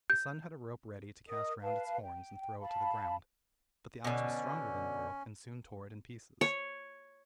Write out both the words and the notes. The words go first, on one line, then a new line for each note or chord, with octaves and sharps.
The son had a rope ready to cast round its horns, and throw it to the ground, but the ox was stronger than the rope, and soon tore it in pieces.
G6
A#4 D#5 D#6
B4 F5 A5
G5
F5 A5 B5
B2 D3 C#4
C#5